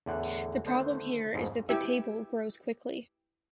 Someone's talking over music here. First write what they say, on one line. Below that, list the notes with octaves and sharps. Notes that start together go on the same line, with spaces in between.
The problem here is that the table grows quickly.
E2 A2 D3 F#5
D3 D#3 A3 C5
F2 G#2
E4 G4 E5